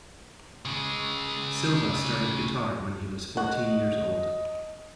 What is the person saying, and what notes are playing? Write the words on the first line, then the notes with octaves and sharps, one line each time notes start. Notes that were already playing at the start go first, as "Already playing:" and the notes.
Silva started guitar when he was fourteen years old.
C#3 G#3
F#4 D#5